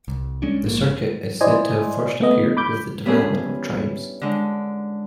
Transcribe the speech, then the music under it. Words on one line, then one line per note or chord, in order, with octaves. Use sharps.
This circuit is said to have first appeared with the development of tribes.
C2
G#3 C#4 D4
A#1 G#2 F3 A#3
E4 C5 D5 D#5 G#5
A3 B3 D#5
B5 D6 G6
G3 B3 C#4 D4 E4 G#4
D3 G#3